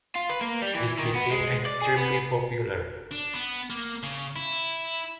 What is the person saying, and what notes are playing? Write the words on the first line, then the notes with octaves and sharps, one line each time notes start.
This became extremely popular.
F4
B4
A#3
G3
E3
D#3
B3
G#3
D5
G#4
B3
D4
B3
A#3
C#3
E4